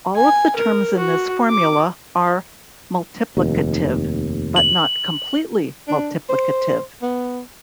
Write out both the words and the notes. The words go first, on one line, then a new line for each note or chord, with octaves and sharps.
All of the terms in this formula are multiplicative, but not completely multiplicative.
G#5
A#4
F#4
D6
F1 D#2
F#7
D4
C5
B3